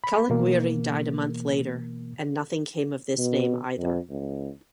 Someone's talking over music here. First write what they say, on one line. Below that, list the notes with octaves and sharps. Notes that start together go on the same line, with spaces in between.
Caliguiri died a month later, and nothing came of this name, either.
B5
B2 E3 A#3
B2
F2
C#2